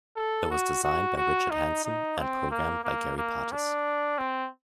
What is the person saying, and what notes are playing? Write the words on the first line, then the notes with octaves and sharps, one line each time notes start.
It was designed by Richard Hanson and programmed by Gary Partis.
A4
F#4
F#4
F#4
D#4
D#4
C4
A#3
A#3
A#3
D4
C4